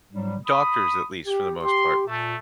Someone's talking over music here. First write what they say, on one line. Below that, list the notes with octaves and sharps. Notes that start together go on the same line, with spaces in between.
e doctors, at least for the most part,
G#2 F#3 G3
B5 D#6
G4
G4 C6
A#2 A3 A5